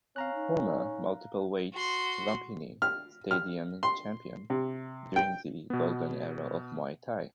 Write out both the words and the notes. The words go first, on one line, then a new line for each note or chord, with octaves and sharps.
Former multiple weights Lumpinee Stadium champion during the golden era of muay thai.
C4 C#4 F5 A#5 F#6
D#4
F#4 C6
F6
F6
C6
C3
G5
B2 B3